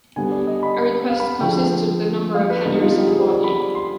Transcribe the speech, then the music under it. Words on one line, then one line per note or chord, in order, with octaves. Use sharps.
A request consists of a number of headers and a body.
D3 G3 B3 G#5
D5
D#5
B5
B5
F5
B5
D3 F3 G#3 G5
G5
F5
B4
D3 G3 B3 D#4
F4
G4
G#4
C5
D5
B5
C6